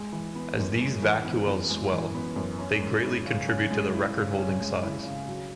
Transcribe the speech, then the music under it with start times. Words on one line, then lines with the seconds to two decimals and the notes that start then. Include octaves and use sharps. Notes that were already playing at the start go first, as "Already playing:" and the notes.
As these vacuoles swell, they greatly contribute to the record-holding size.
Already playing: G#3
0.13 E3
0.35 B3
0.58 F#2
0.80 G#3
1.02 E3
1.24 B3
1.47 F#2
1.69 G#3
1.92 E3
2.14 B3
2.36 F#2
2.59 C#4
2.81 G#3
3.03 E4
3.25 C#3
3.48 C#4
3.70 G#3
3.93 E4
4.15 C#3
4.38 C#4
4.60 G#3
4.83 E4
5.04 C#3
5.27 F#3